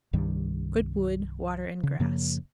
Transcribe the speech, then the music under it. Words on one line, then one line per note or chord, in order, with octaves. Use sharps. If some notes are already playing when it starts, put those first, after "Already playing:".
Good wood, water, and grass.
C2 G2 D#3 G3
C#3
F#2 C#3 F3 A#3